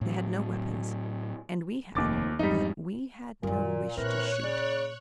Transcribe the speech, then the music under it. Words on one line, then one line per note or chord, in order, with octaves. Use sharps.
They had no weapons, and we had, but we had no wish to shoot.
A2 F#3
F1 D#2 D6 A6
F2 G#2 G3 D#4
F#2 A#2 D#3
A#2 E3 C4 A#4 C#5 F#6
C#3 D5